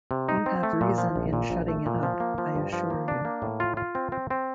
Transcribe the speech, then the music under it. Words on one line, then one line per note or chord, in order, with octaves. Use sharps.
You have reason in shutting it up, I assure you.
C3
D#4
C4
A3
A#2
F3
A#1
A#2
A#1
A3
A#2
F3
A#3
F3
G2
F3
A#3
D4
A#3
A2
F4
F4
C4
C4
C4